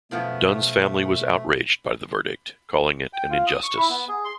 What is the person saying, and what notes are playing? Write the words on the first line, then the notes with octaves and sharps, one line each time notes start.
Dunne's family was outraged by the verdict, calling it an "injustice".
F#2 B2 F3 A3 B3
G5
F4
D#6
C#6
E4
B3
G#4
C6